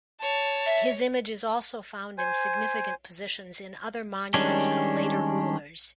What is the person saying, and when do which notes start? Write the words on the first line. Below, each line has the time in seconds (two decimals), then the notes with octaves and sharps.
His image is also found in significant positions in other monuments of later rulers.
0.22 C#5 A5
0.66 E5
2.18 C5 G#5
4.34 D#3 G3 G#3 C#4 D4